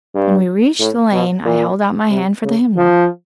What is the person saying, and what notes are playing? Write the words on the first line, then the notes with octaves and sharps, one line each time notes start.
When we reached the lane I held out my hand for the hymnal.
G2
A2
B2
A#2
C3
C#3
F3